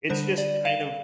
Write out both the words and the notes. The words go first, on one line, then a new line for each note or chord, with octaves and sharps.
it's just kind of
D3 G3 D4 C5
D5
F5